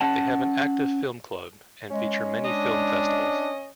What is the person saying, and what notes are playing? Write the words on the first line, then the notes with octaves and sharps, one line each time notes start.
They have an active film club and feature many film festivals.
C#4 F#5 A5
G#3 C#4
D4 D#5